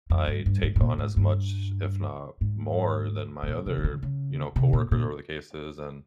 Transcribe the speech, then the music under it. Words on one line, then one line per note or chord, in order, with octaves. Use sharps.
I take on as much, if not more, than my other, you know, coworker over the cases. And,
F2
G2
G2
G#2
G#2
A#2
G#2
G2
G#2
C3
A#2
C3
D#3
C#3
C#3
C3
A#2
A#2